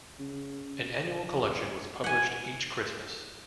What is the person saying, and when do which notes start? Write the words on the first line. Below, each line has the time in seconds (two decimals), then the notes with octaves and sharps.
An annual collection was published each Christmas.
0.20 C#3
2.04 F#5 G#5